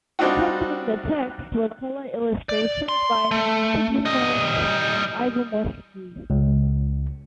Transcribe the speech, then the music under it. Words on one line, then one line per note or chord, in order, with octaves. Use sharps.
Accompanying the text were color illustrations by Sigismond Ivanowski.
G3 C4 D4 D#4 F4 F#4
D5
C6
A3
G3 D#5
C#2